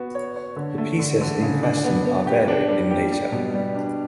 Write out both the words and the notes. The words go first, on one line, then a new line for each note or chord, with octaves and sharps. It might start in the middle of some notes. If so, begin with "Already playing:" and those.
The pieces in question are varied in nature.
Already playing: B3 F#4
C#5
C#5
D3
A3
D3
D3
C#3
D4
B3
B3
G4
D4
G3
G4
G3
B2
G3
D4